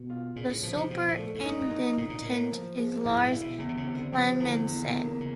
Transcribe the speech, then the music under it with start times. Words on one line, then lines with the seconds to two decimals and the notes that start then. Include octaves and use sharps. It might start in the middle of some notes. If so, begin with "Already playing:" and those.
The superintendent is Lars Clemensen.
Already playing: B2
0.10 F4
0.36 A#2 C#3
0.49 A2
0.63 A#2 F3
0.77 C3
0.90 B2 F3
1.08 A#2
1.17 A3
1.35 G#2
1.44 G2 D#4
1.61 F#2
1.70 D#4
1.97 A2 D#4
2.10 A#2
2.22 A2 A#3
2.52 F3
2.78 G#3
3.05 G#2 E4
3.23 A#2
3.32 E4
3.41 B2
3.59 E2 C#3
3.69 C3
3.77 C#3
3.86 C3
3.95 D3
4.12 C#3 F3
4.40 E2 D3
4.67 E2
4.94 A#3
5.20 C#3